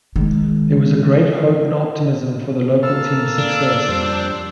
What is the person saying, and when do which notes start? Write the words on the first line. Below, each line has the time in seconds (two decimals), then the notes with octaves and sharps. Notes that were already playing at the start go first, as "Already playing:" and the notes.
There was great hope and optimism for the local teams success.
0.16 D#3 G#3
2.83 A#3 A4 F5 E6
3.38 D4
3.88 F2 G3 C5